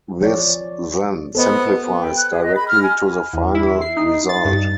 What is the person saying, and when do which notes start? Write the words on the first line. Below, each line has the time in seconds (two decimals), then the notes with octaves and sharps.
This then simplifies directly to the final result.
0.21 F3 C#5 D5
1.35 B3 A4 C5 D#5
2.01 G5
2.17 F#6
2.31 G#4
2.43 D#5
2.56 B5
2.68 F6
2.83 G#5
3.33 E2
3.54 E4
3.81 C7
3.96 D#4
4.29 A6
4.44 G2